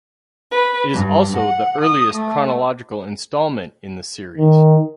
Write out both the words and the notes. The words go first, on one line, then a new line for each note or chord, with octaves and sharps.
It is also the earliest chronological installment in the series.
B4
G2
F#5
D#6
A3
D#3